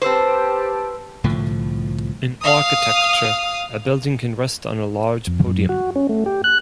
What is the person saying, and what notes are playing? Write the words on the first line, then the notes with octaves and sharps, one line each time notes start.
In architecture a building can rest on a large podium.
C4 G4 B4 C5 G5 A5 C6 E6
C2 A2 D3 F3
F5 D#6
F2
F#2
F#4
C#4
A3
G4
F#6